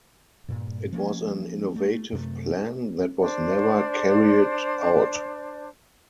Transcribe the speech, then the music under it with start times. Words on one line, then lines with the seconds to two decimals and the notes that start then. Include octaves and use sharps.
It was an innovative plan that was never carried out.
0.48 G2 A#2
0.92 F3 A#3 C#4
1.76 A3
2.13 F#2 C3 A3
3.19 D4 C5 D5